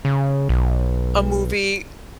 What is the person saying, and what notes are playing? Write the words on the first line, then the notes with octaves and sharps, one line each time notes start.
a movie
C#3
B1